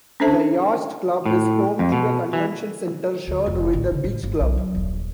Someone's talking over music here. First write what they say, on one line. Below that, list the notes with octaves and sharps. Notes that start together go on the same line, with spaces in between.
The Yacht Club is home to a Convention Center shared with the Beach Club.
C#4 D4 A4 C5 E5 A5
A2
F2
B2
E3
D2
F1
A1
C#3
A2
G1
B1
F#3
D#1